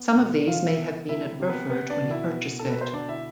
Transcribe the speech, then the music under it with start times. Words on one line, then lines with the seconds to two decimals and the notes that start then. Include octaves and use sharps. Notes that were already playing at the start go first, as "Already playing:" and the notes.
Some of these may have been at Burford when he purchased it.
Already playing: B3
0.16 B2
0.46 E3 F4 F5
0.67 E4 E5
0.77 B3
1.08 C3 E4 E5
1.40 C3
1.49 B3 B4
1.70 B3 B4
1.90 D4 D5
2.01 B2
2.11 E4 E5
2.32 B3
2.59 B2 A4
2.70 B4
2.81 C5
2.93 D3 D4 D5
3.09 E4 E5